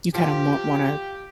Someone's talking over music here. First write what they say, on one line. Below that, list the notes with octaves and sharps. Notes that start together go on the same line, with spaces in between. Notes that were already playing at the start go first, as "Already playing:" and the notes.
you kinda mor wanna
F3 G4